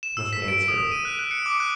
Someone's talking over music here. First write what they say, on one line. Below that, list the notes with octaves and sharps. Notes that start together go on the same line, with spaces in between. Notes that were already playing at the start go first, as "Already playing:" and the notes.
Must answer.
E7
E6
B6
D7
D#6
D#7
F#6
F#6
C#7
D6
F#6